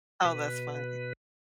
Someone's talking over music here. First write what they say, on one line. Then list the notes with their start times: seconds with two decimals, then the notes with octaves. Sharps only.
Oh, that's funny.
0.25 B2 B4